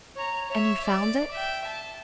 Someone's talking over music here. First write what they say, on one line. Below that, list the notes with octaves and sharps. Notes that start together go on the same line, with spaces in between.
"And you found it?"
C#5 A#5
C#5 E5
D5
E5 G5
A5